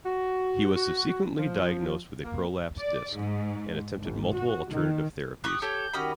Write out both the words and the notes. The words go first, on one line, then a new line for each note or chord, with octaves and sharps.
He was subsequently diagnosed with a prolapsed disc, and attempted multiple alternative therapies.
F#4
F#4
F3
A#3
D5
G#2
G#1
F#4
D#3
G4 C#6 D#6 F#6
G4 A4 C#5 G6
D#3 C#4 F#4 G4 D#5 B5